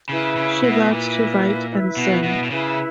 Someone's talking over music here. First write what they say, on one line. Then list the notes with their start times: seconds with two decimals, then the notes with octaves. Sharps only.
She loves to write and sing.
0.09 C#3 E4 B4 E5
0.36 C#3
0.63 B2
0.90 A#2 E4 B4 E5
1.70 E4 B4 E5
1.97 B2
2.23 B2
2.44 B2
2.50 C#3 E4 B4 E5